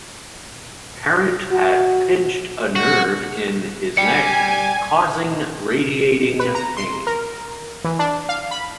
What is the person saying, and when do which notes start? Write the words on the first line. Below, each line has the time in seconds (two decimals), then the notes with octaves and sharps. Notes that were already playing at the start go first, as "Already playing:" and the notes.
Parent had pinched a nerve in his neck causing radiating pain.
1.51 F#4
2.76 F#4
3.97 D5 G5 G#5 C#7
6.40 B4
6.55 A#5
6.77 C6
7.07 A#4
7.84 E3
7.99 D4
8.29 F5
8.51 B5